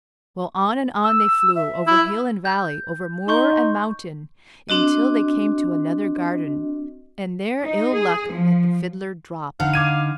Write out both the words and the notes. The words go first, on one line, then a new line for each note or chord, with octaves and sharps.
Well; on and on they flew, over hill and valley, over moor and mountain, until they came to another garden, and there Ill-Luck let the Fiddler drop.
E6
E5
E4
G6
D#4 C6 C#6 G6
C4 D4 F#4 D#5
D#4
G#4
F3
D3 D#4 F5 F#5
D6 G#6 D#7